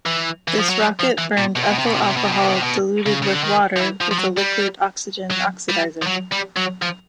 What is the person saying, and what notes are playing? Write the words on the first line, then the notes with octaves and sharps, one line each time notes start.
This rocket burned ethyl alcohol diluted with water with a liquid oxygen oxidizer.
E3
E3
F3
F#3
G3
F3
E3
A#2
B2
C3
B2
C3
B2
C3
B2
C3
B2
C3
B2
C3
B2
C3
B2
C#3
C#3
D3
D#3
F3
E3
F3
F3
F#3
G3
F#3
G3
F3
F#3
G3
F#3
F3